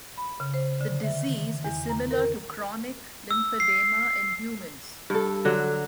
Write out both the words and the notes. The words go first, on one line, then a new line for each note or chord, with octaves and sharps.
The disease is similar to chronic lymphedema in humans.
B5
C#3
C5
D3
E5
D#3
E2
A#5
A#4
E6
C7
G2 A4
D3 F#3